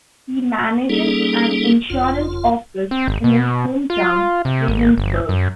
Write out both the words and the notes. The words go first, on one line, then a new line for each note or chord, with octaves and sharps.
He manages an insurance office in his hometown, Ravensburg.
G3 A#3 C#4 D#4 G#4 A4
F#1 F2 F4
C4
G#1
B2
F4
C3
G#1
G1
F#2